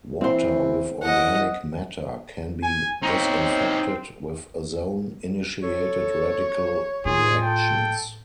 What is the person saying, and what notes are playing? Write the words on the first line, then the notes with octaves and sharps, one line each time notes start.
Water with organic matter can be disinfected with ozone-initiated radical reactions.
E3 C4 C5
E2 D#5 F#5
G#5
C4 D#4 C#5
A4 C#5
A2 F4 G#4
A4 G5